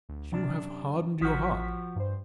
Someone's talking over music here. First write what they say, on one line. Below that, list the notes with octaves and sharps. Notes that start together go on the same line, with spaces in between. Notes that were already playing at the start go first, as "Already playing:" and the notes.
You have hardened your hearts.
D2
F#2 C3 D4
A1 F3 F#4 B6
G2 C5